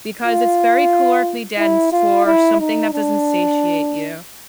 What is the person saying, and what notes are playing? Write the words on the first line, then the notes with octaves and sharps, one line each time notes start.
because it's very calorically dense for something that doesn't satiate you.
F4
E4
F4
E4
D#4
D4